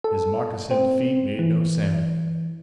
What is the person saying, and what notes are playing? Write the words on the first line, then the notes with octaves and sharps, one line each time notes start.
His moccasined feet made no sound.
A4
C4
E3